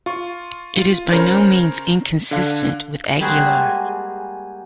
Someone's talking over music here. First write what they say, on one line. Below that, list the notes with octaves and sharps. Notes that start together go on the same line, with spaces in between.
It is by no means inconsistent with "Aguilar".
F4 C#6
F4
C#3 A#4 C5 C#5
D3 F5 F#6
G3 G#3 A#3 C4 F#4 G#4